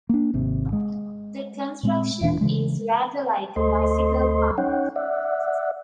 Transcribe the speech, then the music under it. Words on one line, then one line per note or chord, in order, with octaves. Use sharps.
The construction is rather like a bicycle pump.
A#3 D4
G#1 C3
G#3
A#2 G#3 C4
E1 A#2 E3 D4
C#3 E3 G#3
D2 A3 A4 C5 D#5 C6
C#4 D#4 C#5 F#5 G5
D5 E5 F#5